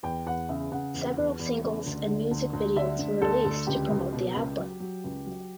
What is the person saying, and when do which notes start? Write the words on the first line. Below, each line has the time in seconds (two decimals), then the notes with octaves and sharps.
Several singles and music videos were released to promote the album.
0.03 E2 G5
0.26 E2 F#5
0.49 C#3 E5
0.72 C#3 F#5
0.94 E2
1.17 E2
1.39 E2
1.63 C#3
1.86 D2
2.07 D3
2.31 D2
2.53 D2
2.76 D3 E5
2.99 D2
3.21 D2 A4
3.45 D2
3.67 C#2 G4
3.90 C#2
4.13 B2
4.35 C#2
4.59 F#3
4.80 F#3
5.04 C#2
5.26 F#3